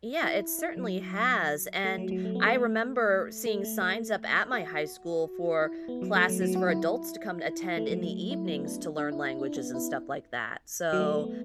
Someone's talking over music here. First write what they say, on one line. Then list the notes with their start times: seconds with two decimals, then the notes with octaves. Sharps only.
Yeah, it certainly has, and I remember seeing signs up at my high school for classes for adults to come and attend in the evenings to learn languages and stuff like that, so
0.23 E4
0.59 E4
0.77 F#3
1.84 A3
1.98 F#3
2.11 F#3
2.25 A3
2.35 B3
2.46 A3
3.46 A3
3.64 A3
3.82 A3
4.53 F#4
5.61 E4
5.88 B3
6.02 F#3
6.15 A3
6.29 F#3
6.42 F#3
6.55 F#4
6.69 E4
7.77 A3
7.90 F#3
8.04 A3
8.31 E4
8.49 B3
8.66 D4
8.98 D4
9.12 E4
9.25 E4
9.39 D4
9.56 B3
9.74 E4
10.93 F#3
11.00 A3
11.18 B3